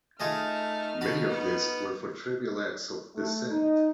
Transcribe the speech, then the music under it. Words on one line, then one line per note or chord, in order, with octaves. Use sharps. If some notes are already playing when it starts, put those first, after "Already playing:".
Many of these were for trivial acts of dissent.
A3 D#4 F4 G#4 D#5 F6
F#4 A5 B5
B3
A3
D#4